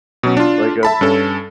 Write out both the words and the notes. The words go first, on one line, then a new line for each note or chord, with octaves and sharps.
like, um
B2 F#3 C#4
D4 F4
E5 A5 B5
G2 C#4 A4